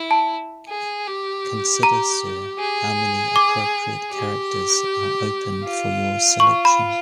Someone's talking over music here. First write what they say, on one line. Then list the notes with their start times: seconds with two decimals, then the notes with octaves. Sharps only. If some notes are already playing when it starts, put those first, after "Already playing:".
Consider, Sir, how many appropriate characters are open for your selection.
Already playing: E4
0.11 A5
0.68 G#4
1.07 G4
1.83 A#5
2.59 G#4
3.36 D6
4.11 G4
5.64 F4
6.40 C#6
6.65 B5